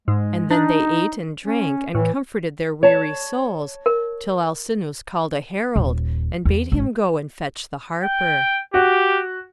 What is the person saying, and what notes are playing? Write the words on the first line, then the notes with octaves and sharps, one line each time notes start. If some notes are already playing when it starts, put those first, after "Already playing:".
And then they ate and drank, and comforted their weary souls, till Alcinous called a herald, and bade him go and fetch the harper.
G#2 G#3
D4 D#4
C#4
A2 E3
C#5 A5
A#4
D#1
E2
G#1
G5
F#4 G4